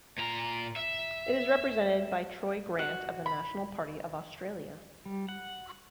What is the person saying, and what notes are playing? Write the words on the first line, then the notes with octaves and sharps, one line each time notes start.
It is represented by Troy Grant of the National Party of Australia.
A#2 A#5
E5
F#4
B5
G3
F#5